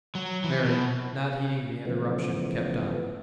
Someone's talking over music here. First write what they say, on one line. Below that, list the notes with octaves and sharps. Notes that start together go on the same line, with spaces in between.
Mary, not heeding the interruption, kept on.
F#3
E3
B2
C#3 E3 F3 A3 B3